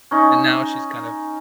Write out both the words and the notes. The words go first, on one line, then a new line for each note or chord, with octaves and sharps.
and now she's kind of
C#4 D#4